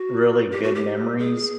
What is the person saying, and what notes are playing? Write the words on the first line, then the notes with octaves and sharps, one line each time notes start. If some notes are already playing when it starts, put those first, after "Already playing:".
really good memories,
Already playing: F#4
G4
F#4
G4
G#4